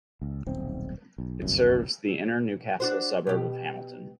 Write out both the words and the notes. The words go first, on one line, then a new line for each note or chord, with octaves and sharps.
It serves the inner Newcastle suburb of Hamilton.
C#2
D#1 B1 C4
B1
G1 C2 F#2
D4 F#4 C5
B2 G4